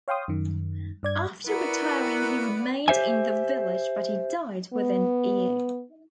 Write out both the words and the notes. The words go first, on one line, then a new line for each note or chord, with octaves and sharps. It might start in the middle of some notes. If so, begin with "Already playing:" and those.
After retiring he remained in the village but he died within a year.
C#5 F5 G5 C6 D#6
F#2 D#3
G2 D5 G#6
B3 E4 F#4 A#4 B4 D5 F#5
G4 C5 E5 G#5
B3